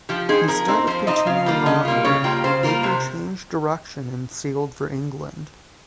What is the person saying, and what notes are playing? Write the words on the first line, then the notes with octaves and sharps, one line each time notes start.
Instead of continuing onward, Baker changed direction and sailed for England.
F3 G4
C4 D#4 G#4
F3 A#4
C4 D#4
F3 C5
C4 D#4 D#5
C#3 F5
G3 A#3 F4
C#3 D#5
G3 A#3 F4
C#3 C#5
G3 A#3 F4 G5
C#3 C5
G3 A#3 F4 A#4
C3 C5